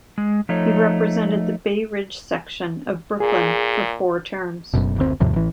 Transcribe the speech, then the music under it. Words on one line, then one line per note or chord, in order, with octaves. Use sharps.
He represented the Bay Ridge section of Brooklyn for four terms.
G#3
F3 A3 D#4 C#5
A#2 G#4
F#1 F#2 B2
F#1 D2 C4
D#2 G#2 C3 F3
A1 E3